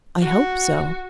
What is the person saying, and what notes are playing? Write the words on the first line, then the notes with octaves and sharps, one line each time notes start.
"I hope so."
F#4